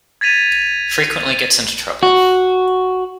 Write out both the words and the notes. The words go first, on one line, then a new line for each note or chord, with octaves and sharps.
Frequently gets into trouble.
G#6 A6 B6 D#7 F7
F#4